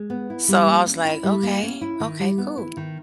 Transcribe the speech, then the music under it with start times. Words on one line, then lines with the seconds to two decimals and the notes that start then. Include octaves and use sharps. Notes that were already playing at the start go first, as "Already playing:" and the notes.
so I was like, "Okay. Okay. Cool."
Already playing: G#3
0.10 B3
0.30 E4
0.48 G3
0.67 A#3
0.87 C#4
1.05 E4
1.24 G3
1.43 A#3
1.63 C#4
1.81 E4
2.00 D#3
2.20 G3
2.38 B3
2.57 E4
2.77 D#3